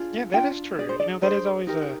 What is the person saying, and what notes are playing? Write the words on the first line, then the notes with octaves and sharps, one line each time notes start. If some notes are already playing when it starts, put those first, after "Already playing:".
Yeah, that is true, you know, that is always, uh,
Already playing: D4 F4 G#4
D4 F4 G5
D4 G#4 D5
C5
D5
D4 G#4 C5
D#4 G4 A#4